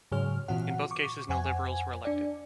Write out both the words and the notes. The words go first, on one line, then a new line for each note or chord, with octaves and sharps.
In both cases no Liberals were elected.
G#2 C#3 F#3 G#4 C#5 F6
A#2 E3 C4 F4 F#4 F#5
C#6 D6
F2 C5 F#5 G#5 G#6
D4 D5